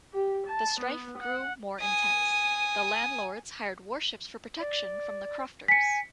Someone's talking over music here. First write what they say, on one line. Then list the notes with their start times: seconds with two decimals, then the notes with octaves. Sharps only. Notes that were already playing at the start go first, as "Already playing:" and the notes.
The strife grew more intense; the landlords hired warships for protection from the crofters.
0.14 G4
0.47 A5
0.81 B3
1.19 F#5
1.80 G#5 D#6
4.60 D5
5.68 G#5 B6 C#7